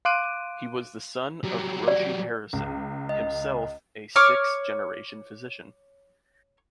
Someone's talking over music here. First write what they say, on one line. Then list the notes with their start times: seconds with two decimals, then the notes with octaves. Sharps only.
He was the son of Groce Harrison, himself a sixth-generation physician.
0.05 F5 C6 D6 F#6 D7 D#7
1.44 F#3 G3
1.88 D5
2.53 C#2
3.09 D#5
4.16 C#5 D6 F6